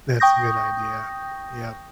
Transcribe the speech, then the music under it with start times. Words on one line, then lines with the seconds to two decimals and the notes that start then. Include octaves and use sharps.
That's a good idea. Yep.
0.20 G5 C#6 D#6 G6 A#6